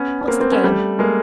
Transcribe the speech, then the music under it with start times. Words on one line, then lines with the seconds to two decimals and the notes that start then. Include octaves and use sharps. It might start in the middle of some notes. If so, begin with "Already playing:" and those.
What's the game?
Already playing: B3 C#4
0.21 C#4
0.28 A#3 C4
0.40 A#3 C4
0.52 B3 C#4
0.64 G3 A3
0.99 G#3 A#3